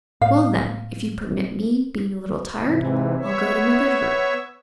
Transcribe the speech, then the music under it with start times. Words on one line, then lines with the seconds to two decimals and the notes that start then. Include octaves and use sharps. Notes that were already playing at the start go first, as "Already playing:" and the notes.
'Well, then, if you permit me, being a little tired, I'll go to my bed-room.'
0.22 A2 F5
2.63 G#2 C3 E3
3.19 B3 C#5 E5